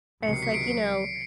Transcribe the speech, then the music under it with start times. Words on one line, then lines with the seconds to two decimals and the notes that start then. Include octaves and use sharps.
and it's, like you know,
0.23 C#2 C3 D#3 F#3 C#7
0.33 C7
0.42 B6 C#7
0.54 C7 D7